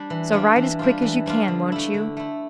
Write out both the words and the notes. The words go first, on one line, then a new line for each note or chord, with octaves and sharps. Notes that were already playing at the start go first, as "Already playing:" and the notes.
So write as quick as you can, won't you?
Already playing: G3 D4
E3
G3 D4 F4
E3
G3 D4 F4
E3
G3 D4 F4
D3
A3 E4
D3
A3 E4